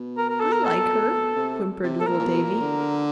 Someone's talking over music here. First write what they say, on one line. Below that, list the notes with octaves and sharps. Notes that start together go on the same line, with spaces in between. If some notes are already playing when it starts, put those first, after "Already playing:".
"I like her," whimpered little Davie.
Already playing: B2
A#4
A#4
A4
A#4
A4
C3
C3
B2 A4
A#2 A#4
A#2
B2
A#2
D3